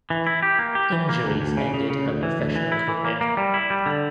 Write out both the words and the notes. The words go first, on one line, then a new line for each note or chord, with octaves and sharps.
Injuries ended her professional career.
E3
E4
G4
A#3
G4
E3
A#3
D2
D2
C#3
C#3
C#3
D2
E3
D2
E3
E4
E3
A#3
A#3
G3
E4
G3
D3